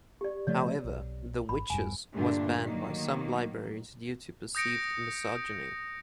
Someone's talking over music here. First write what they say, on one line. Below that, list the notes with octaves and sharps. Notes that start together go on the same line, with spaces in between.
However, "The Witches" was banned by some libraries due to perceived misogyny.
G4 D5
C#3 F3 A3 C#5 D5
B1
G#1 B5
E1 G2 G#5
G2 A#2 D3 A3 D4
D#3 F#3 A#3
D#6 G6 A#6 C#7 D7